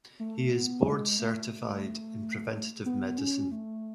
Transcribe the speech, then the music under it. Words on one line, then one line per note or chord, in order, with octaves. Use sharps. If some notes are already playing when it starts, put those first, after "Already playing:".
He is board certified in preventive medicine.
A3
B3
G#3
A3
B3
C#4
A3